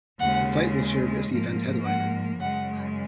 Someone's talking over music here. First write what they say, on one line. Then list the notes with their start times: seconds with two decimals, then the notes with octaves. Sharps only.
The fight will serve as the event headliner.
0.19 D#2 C#3 G#3 F#5
1.31 G#2 F3 A#3
1.85 F#5
2.40 F#2 C#3 G#3 F#5